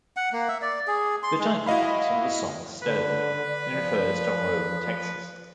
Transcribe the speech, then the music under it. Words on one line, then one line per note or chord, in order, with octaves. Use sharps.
The title comes from the song, "Stoned," and refers to Rhome, Texas.
F#5
A#3
E5
D5
G#4
C6
G#3
E4 F#4 D#5 F5 B5
D3 B4 D5
F3